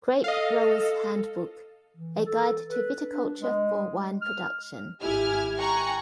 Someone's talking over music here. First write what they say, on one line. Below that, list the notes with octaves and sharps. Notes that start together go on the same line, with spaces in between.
"Grape Growers Handbook: A Guide To Viticulture for Wine Production".
A4 D#5 F5
E3
A4
B4
D4
G#3
F6
G#1 E4 G4 G#5 F6 G#6
G5 G#5 A#5 C#6 F#6